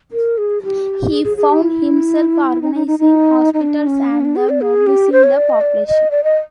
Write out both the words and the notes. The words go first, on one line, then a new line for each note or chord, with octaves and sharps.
He found himself organizing hospitals and the mobilizing the population.
A#4
G#4
G4
G#4
G#4
G#4
G4
E4
D#4
D#4
D#4
D#4
D#4
D4
C#4
D4
C#4
D4
G#4
D5
G#4
G4
C5
C#5
D5
D#5
D5
D#5
D5
D#5